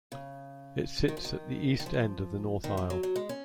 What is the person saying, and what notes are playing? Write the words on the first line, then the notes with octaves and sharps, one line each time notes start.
It sits at the east end of the north aisle.
C#3
D#3
F3
D#3
D#3
F3
D#3
F3
F#3
F#3
G#3
C#4